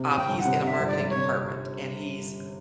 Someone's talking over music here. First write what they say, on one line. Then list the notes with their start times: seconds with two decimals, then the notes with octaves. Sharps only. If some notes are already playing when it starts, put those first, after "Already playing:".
um, he's in a marketing department, and he's
Already playing: C3
0.11 C3
0.17 G5
0.29 G1
0.39 F#5
0.45 C3
0.63 C3 F#5
0.67 E5
0.80 G1
0.87 D5
0.98 G1
1.09 C#5
1.16 C3